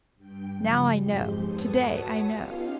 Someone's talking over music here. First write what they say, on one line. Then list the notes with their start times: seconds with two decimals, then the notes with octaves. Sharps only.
Now I know--to-day I know.
0.16 G2 G5
0.54 C#3 F3 F#3 G#3
0.96 F2 G#2 G#3 G4 C5 G6
1.43 F#4 A4 B4 C#5 A5 D#6
2.25 B3 C#4 D#4 F4 G4 F5